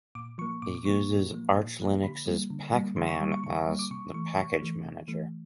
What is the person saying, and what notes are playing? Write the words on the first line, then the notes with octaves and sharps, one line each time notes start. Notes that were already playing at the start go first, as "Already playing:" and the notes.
It uses Arch Linux's Pacman as the package manager.
A#2 D6
F3 A#3 C#6
A#2 D6
D6
F3 A#3 C#6
A#2
F3 A#3
A#2
F3 A#3
D3 B5
G3 A#3
D3
G3 A#3
D3 C6
C#6
G3 A#3
C#6
D3 C#6
G3 A#3
D6
C3 C#6
E3 A3 C#6
C3 C#6
E3 A3
C3
E3 A3